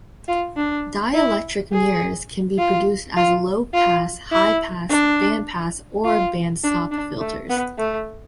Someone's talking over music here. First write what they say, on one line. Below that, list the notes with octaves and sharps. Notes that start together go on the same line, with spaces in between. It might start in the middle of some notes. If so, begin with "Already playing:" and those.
Dielectric mirrors can be produced as low-pass, high-pass, band-pass, or band-stop filters.
F4
D4
E4
G#4
F4
F4
F4
E4
D4
F4
D4
D4
A3
B3
A3